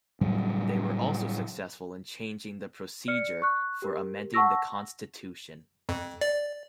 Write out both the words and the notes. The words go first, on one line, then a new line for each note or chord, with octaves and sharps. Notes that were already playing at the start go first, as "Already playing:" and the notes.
They were also successful in changing the procedure for amending the Constitution.
A2 C#3 F#3 G3
D5 F6 C#7
C#6 F#6
G4 A#4
F#5 A5 C#6 E6 A#6
F2
D5